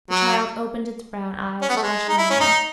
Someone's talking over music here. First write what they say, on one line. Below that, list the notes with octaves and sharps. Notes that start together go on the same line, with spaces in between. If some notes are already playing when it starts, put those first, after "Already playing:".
The child opened its brown eyes questioningly.
F#3
C#4
B3
A3
G#3
D#4
E4
C#4
D#4